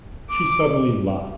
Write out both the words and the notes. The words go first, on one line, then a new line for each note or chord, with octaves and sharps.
She suddenly laughed.
D6